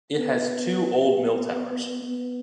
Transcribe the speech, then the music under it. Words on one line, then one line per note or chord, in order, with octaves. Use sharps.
It has two old mill towers.
B3
B3